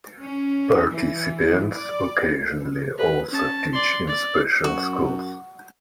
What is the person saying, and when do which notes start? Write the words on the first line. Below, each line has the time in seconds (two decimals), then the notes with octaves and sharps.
Participants occasionally also teach in special schools.
0.20 C#4
0.89 E3
1.71 D5
2.98 B4
3.30 C#4 A5
3.73 D5 C6
4.08 D5
4.64 F#2 F#4